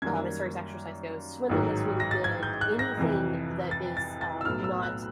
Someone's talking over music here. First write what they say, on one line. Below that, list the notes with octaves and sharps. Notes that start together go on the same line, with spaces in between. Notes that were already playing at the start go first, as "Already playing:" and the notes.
um- as far as exercise goes- swimming is really good, anything that is, um, not
F#2 D#3 G3 A#3 G#6
A1 G#2 D#3 F#3
A#6
A6
G#6
G6
F#6
A#6
F2 C3 E3
A6
A6
A6
E6
B1 A2 F#3 B3 F6
E6
F#6